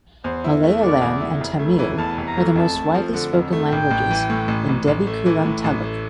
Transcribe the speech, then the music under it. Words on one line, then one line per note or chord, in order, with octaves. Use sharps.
Malayalam and Tamil are the most widely spoken languages in Devikulam taluk.
E2 C5
E4
A3
D3 D5
E2
E4
F1
A3
E3
E2 A5
F1
A#5
A3
F2 A5
A3
F3
D3
F2
A3
A1 G5
A1
E3
A2
A1
A1
A1
A3
E3
A2
A1
A3